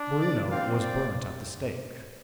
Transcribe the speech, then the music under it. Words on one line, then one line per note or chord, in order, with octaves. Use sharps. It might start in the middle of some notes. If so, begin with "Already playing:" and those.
Bruno was burnt at the stake.
Already playing: D4
D5
C4 F5
D5